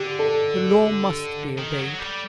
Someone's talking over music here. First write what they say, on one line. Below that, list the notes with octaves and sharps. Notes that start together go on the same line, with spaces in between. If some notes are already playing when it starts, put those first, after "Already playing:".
The law must be obeyed.
Already playing: D3 G4
A4
D#3
F#3
G3